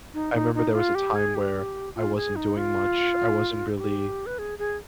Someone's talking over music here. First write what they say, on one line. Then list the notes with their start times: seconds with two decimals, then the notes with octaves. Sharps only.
I remember there was a time where I wasn't doing much, I wasn't really
0.14 D#4
0.34 D#4
0.55 D#4
0.74 F4
0.95 G4
1.15 G#4
1.35 G4
1.95 F4
2.16 G#4
2.36 D#4
2.57 F4
3.78 G4
4.26 B4
4.39 G#4
4.59 G#4